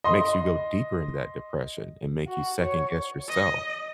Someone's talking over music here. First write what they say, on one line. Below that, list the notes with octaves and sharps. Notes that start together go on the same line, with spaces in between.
makes you go deeper into that depression and make you second guess yourself.
D#5 C6
F#4
C#5
D#5